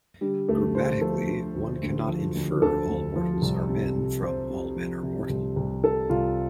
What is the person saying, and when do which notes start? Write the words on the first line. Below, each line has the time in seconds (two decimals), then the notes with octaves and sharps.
Grammatically, one cannot infer "all mortals are men" from "All men are mortal".
0.21 D3 G3
0.48 D2 A3
0.74 D3 C5
1.01 F3 A4
1.29 D3
1.54 D2
1.82 D2
2.08 F3
2.35 D2
2.62 D2 A4
2.89 D2
3.16 F3
3.42 C2
3.69 C3
3.96 C3
4.22 C3 C5
4.50 C3
4.76 F3
5.03 C3
5.29 C2
5.56 C2
5.83 C3 A4
6.09 C2 F4